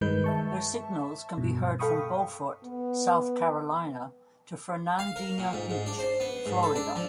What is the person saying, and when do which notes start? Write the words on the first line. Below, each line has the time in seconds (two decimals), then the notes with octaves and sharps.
Their signals can be heard from Beaufort, South Carolina to Fernandina Beach, Florida.
0.01 G2 D#3 G#3 D#4 B4 G6
0.24 E5 A5 C#6
1.38 G2 B2
1.79 A4 F5 G5 B5 C#6 D#6
2.64 B3
4.99 F5
5.16 A#4
5.38 A#2
5.53 G#2
5.70 G#2
5.86 D4
5.99 C5
6.20 B3
6.46 G#2
6.63 A4
6.76 D4
6.95 F3